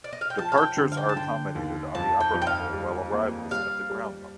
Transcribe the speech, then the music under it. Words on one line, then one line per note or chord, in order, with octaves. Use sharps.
Departures are accommodated on the upper level, while arrivals at the ground level.
D5
D#5
F5
G5
F3 A5
F5
G5
D3
F5
G5
A5
D3 G5
D#2
F2 A5
G5
F2
G5
F5
G3
A#3
G3 F5
G3